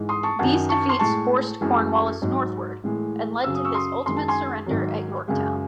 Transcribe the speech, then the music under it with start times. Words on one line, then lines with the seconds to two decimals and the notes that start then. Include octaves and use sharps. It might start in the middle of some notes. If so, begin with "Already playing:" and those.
These defeats forced Cornwallis northward, and led to his ultimate surrender at Yorktown.
Already playing: G#2 E3 G#3
0.09 C6 D#6
0.23 A5 C#6
0.39 F#2 D#3 F#3 F#5 A5
0.69 A5 C#6
0.89 C6
0.99 A2 G#3 A5 C#6
1.61 F#2 E3 G#3
2.22 G#2 F#3
2.84 A2 E3 G#3
3.44 F#2 C#3 F#3 E6
3.55 D#6
3.65 C#6 E6
3.74 C6 D#6
4.06 F#2 D#3 G#3 C6
4.16 A5
4.28 G#5 C6
4.66 G#2 D#3 F#3
5.28 F#2 C#3 G#3